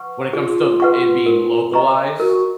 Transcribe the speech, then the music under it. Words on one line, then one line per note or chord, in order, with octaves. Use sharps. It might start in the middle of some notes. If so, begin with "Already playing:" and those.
when it comes to it being localized,
Already playing: B4 F#5 C#6
F4 G#4
B4 F#5 C#6
A#4
D#5 A#5 C#6
F#4 A#4